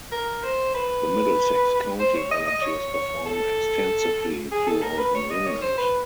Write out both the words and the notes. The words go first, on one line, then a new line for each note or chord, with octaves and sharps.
The Middlesex County Volunteers perform extensively throughout New England.
A#4
C5
B4
C5
C#5
D#5
D#5
C#5
C#5
A4
G#4
A4
A#4
B4
C#5
D#5
C#5
C5
B4